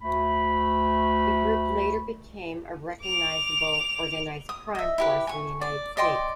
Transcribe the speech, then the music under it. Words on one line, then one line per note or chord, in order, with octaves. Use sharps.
The group later became a recognizable organized crime force in the United States.
D2 A3 B5
D6 F7
D#6
D#5 E5
E4 G4 B4
G#5 C#6
D5
D5 D#5 G5 C6